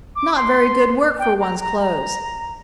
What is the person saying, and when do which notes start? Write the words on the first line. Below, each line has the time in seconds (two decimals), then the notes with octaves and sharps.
Not very good work for one's clothes.
0.16 D6
0.36 C6
1.19 G5
1.40 A#5
1.61 A#5
1.81 A#5